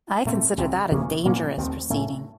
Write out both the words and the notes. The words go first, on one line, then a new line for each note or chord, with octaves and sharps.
I consider that a dangerous proceeding.
A#2 A3 C4
C#2 C3 F#3 C4
C3 F#3 A#3 C#4
A#2 F3 A#3 C#4
D#2 D#3 A3 C4
A2 A3 C#4